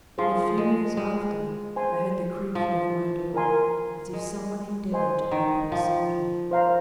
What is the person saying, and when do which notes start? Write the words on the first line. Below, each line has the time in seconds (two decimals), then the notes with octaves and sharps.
In a few minutes after, I heard the creaking of my door, as if some one endeavoured to open it softly.
0.18 F3 G#4 C5 F5 C6
0.58 G#3
0.97 G#3
1.76 C5 G#5 C6
2.55 F3
3.34 A#4 G#5 C6
4.13 G#3
4.92 C5 D#5 G#5 C6
5.31 D#3
5.72 F3
6.51 C5 F5 A#5